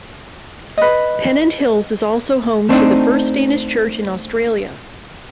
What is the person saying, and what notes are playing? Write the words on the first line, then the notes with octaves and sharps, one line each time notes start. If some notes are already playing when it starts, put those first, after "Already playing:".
Pennant Hills is also home to the first Danish Church in Australia.
B4 D#5
A3 C4 D4 D#4